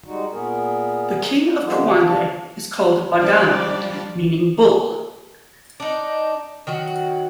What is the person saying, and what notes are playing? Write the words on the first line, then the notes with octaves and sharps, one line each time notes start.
The king of Kouande is called "Bagana" meaning Bull.
G3 G#3 D#4 F#4
A#2 B3 G#4 A#4
D3 F3 G3 G#3 B3
C3 G3 F5 A5
F3 G3 D4 C5 D5 F6
D4 D#4
D#3 F#3 F#4